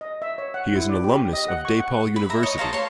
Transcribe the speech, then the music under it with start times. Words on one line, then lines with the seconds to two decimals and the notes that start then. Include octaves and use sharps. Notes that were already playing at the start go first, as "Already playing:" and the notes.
He is an alumnus of DePaul University.
0.01 D#5
0.22 E5
0.38 C#5
0.54 F#5
0.75 E4
0.89 D5
1.04 G4
1.33 D#5
1.48 F#5
1.65 C#6
1.80 F#5
2.16 B5
2.30 E5 A#5
2.43 C#5 D#5
2.58 A4 C5 F5 A#5
2.73 C#5 C6